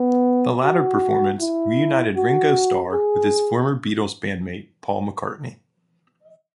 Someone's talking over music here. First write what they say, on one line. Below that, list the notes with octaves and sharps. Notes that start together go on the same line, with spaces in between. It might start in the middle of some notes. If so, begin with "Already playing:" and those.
The latter performance reunited Ringo Starr with his former Beatles bandmate Paul McCartney.
Already playing: B3
F#4
E4
F#4
G#4